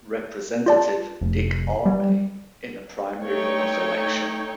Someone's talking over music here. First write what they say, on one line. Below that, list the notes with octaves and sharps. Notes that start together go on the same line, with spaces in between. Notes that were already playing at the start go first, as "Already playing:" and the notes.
Representative Dick Armey, in a primary runoff election.
F4 D5 A5
F1
G3
A3 D#4 C#5 G5